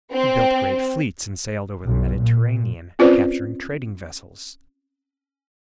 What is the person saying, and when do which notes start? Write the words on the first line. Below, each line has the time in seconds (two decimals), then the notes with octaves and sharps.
He built great fleets and sailed over the Mediterranean, capturing trading vessels.
0.13 C4
1.86 B1
2.21 A#2
2.99 C4 C#4 F4 B4 C5 D5